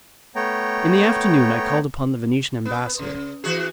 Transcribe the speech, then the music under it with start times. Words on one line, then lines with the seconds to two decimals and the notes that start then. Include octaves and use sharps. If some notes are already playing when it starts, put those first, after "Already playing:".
In the afternoon I called upon the Venetian ambassador.
0.35 A3 B3 C#5 G5 A#5
2.65 B3
2.99 C#3
3.44 E3 F#4 G#4